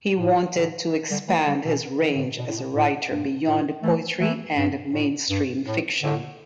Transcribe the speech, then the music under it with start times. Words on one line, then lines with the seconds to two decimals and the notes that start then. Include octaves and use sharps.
He wanted to expand his range as a writer beyond poetry and mainstream fiction.
0.18 A2
0.55 A2 D3
1.10 D3 G3
1.28 E3 A3
1.46 D3 G3
1.64 B2 E3
2.01 D3
2.08 E3
2.15 A2 D3
2.38 B2
2.47 A2
2.56 B2
2.74 A2
3.10 G2
3.47 A2
3.83 E3 A3
4.19 E3 A3
4.56 G2
4.92 A2
5.29 G2
5.66 A2
6.02 A2 D3